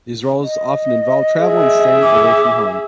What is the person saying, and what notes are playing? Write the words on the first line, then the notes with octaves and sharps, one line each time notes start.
These roles often involved travel and staying away from home.
D#5
G#4 E5
D6